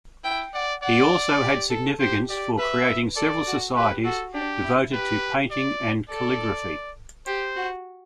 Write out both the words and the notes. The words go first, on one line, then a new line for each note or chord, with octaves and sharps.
He also had significance for creating several societies devoted to painting and calligraphy.
E4 G5
D5 F#5
D5 F#5
G4
A4
G4 C5
G4 D5
B4 E5
A4 D5
F#4
G4 B4
F#4 A4
D4 G4
E4
G4 B4
D5
A4 D5
G4 C5
F#4